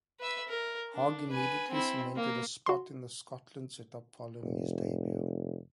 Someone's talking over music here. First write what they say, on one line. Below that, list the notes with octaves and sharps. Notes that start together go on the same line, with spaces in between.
Hogg immediately cemented a spot in the Scotland setup following his debut.
B4 E5
A#4
D4
B4 G#5
C4 E4
A#3
F#4 C6
F1